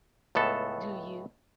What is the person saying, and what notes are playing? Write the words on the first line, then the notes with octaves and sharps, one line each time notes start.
Do you?
C#2 A2 B3 A4 A5